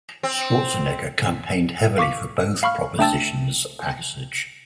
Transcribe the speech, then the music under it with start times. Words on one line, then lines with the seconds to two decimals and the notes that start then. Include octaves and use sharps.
Schwarzenegger campaigned heavily for both propositions' passage.
0.23 C4
1.98 F5 C#6 D6 B6
2.63 F5 B5 C#6 F6
2.99 A3 D4 G5 A5 E6 A6